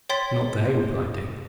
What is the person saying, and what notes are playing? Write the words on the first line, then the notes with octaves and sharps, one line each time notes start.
"Not they," replied Dick.
C#5 G5 C6 A6 B6